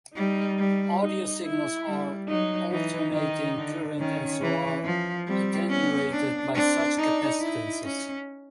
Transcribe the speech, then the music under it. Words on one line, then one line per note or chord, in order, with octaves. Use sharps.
Audio signals are alternating current and so are attenuated by such capacitances.
G3 D#4
G3
D#4
E4
G3
F#3 D#4
E3 D#4
D#3 D#4
D3
D#3 C#4
E3
F3
G3 C4
B3 C#4
D4
C4 D4
D4 D#4
D#4 E4
C#4